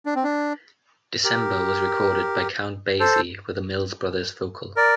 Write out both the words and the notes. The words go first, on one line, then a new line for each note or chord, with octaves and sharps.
"December" was recorded by Count Basie with a Mills Brothers vocal.
D4
C4
D4
G4 A#4
A4 C5
A#4 D5